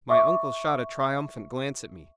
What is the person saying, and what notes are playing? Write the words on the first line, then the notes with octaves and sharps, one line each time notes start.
My uncle shot a triumphant glance at me.
E5 C#6 D6